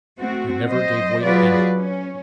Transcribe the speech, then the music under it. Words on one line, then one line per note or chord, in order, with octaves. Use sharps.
He never gave way to anger.
A3 C4 F#4
F#3 C5 D#5
F#3 F4 F#4 G#4 B4 D5
C#4